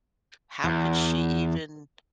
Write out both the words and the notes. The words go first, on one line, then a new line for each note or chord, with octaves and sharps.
"How could she even
E2